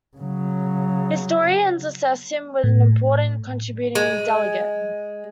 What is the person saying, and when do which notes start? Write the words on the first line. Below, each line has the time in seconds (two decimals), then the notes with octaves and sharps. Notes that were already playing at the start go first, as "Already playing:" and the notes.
Historians assess him as an important contributing delegate.
0.17 C#3 F#3
2.64 A2
3.95 G#3